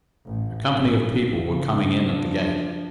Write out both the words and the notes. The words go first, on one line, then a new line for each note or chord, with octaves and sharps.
A company of people were coming in at the gate.
A1
A#1 G#2
C#3
F3 D4